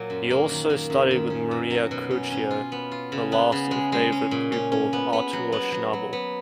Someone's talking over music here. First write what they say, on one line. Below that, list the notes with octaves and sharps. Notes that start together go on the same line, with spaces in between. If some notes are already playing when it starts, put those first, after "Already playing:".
He also studied with Maria Curcio, the last and favourite pupil of Artur Schnabel.
Already playing: A#2 F#3 A#3
F#2
A#3
D#3
D#3
F#2
D#3
C#4
B2
F#3
B2
C#4
C#4
F4
B3
F4
C#3
B3
C#3
G#3
G#3
C#4
A#2
C#4
C#4
B3
B3
F#3
B3
F#3
F#3
B3